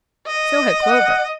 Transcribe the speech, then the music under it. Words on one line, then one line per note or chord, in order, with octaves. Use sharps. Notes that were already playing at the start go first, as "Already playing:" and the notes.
So had Clover.
D#5
F#5